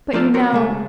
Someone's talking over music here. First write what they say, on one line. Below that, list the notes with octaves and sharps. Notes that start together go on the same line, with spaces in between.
But you know....
F3 A3 A#3 D4 F4 A4
C4 F#4 A#4 C#5
C#3 G#3 A3